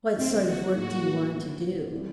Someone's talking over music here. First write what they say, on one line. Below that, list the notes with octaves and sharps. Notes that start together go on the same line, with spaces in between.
"What sort of work do you want to do?"
D#2 C#3 F#3 A#3 C4
F#4
A2 F#3 A#3 D#4 F#4 G#4
D3 F#3 B3 E4
E3 G3 C4 E4 G4